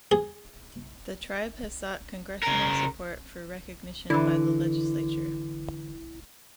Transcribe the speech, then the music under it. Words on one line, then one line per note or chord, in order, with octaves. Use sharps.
The tribe has sought Congressional support for recognition by the legislature.
G#4
C#3 A#4
D3 E3 E4